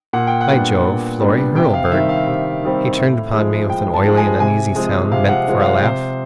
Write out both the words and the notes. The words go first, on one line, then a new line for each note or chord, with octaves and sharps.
"By Jove: Florry Hurlbird." He turned upon me with an oily and uneasy sound meant for a laugh.
A#2 F#5
G5
F#5
G3 B3 D4
A#2
G3 B3 D4
C3 G5
F5
F5
D#3 G3 C4 E5
F5
C3
D#3 G3 C4
A2
F3 G#3
A2 G5
A5
F3 G#3
G#5
C3 G#5
F3 G#3 C4
C3 F5
F#5
F3 G#3 C4
F5
F#5
C3 C5